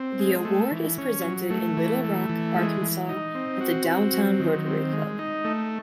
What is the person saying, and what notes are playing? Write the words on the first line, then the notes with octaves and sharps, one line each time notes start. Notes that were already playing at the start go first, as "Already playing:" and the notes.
The award is presented in Little Rock, Arkansas at the Downtown Rotary Club.
Already playing: C4
G#3
A3
E3
C#4
F#3
A3
E3
A3
E3
G#3
E3
D#4
C4
F#4
C4
F#3
D#3
C4
G#3
D#4
A3